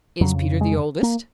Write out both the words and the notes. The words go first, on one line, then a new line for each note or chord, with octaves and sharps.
"Is Peter the oldest?"
F2 C#3 F#3
G#3
A#3